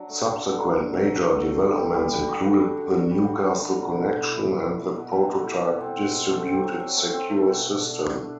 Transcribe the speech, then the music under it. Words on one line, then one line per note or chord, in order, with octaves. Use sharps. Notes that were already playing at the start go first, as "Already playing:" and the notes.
Subsequent major developments included the Newcastle Connection, and the prototype distributed Secure System.
Already playing: F#3 D4
A3
D3
D3
D4
F#3
F#3
F#3
A3
F#3
A3
G3
G3
D3
F#4
G3
D4
F#4
D4
G3
F#4
D3
D3
B2
E4
B2
E4
E4
E4
E4
B2
B2
A3
E4
B2
C4
C4
B2
A3
C4
F#3
F#3
A3
C4
A3
B2
B2
D4
D4
D4